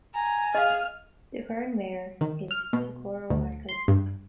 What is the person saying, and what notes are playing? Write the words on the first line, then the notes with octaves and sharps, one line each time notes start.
The current mayor is Socorro Marquez.
G#5 A#5
G#4 D#5 F5 F6
D#3
F6
B2
D2
C6
G2